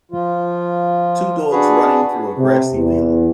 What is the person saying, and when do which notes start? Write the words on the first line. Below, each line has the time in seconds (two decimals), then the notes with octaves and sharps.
Two dogs running through a grassy field.
0.12 F3 F4
1.51 D4 F#4 G#4 B4
2.37 C3
2.74 E2